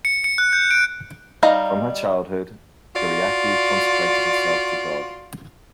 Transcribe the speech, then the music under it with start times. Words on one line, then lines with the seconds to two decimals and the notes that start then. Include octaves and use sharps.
From her childhood, Kyriaki consecrated herself to God.
0.05 C#7
0.24 C#7
0.38 F#6
0.53 G6
0.71 D7
1.43 G3 D#4 F5 A#5
2.94 F4 F#4 D5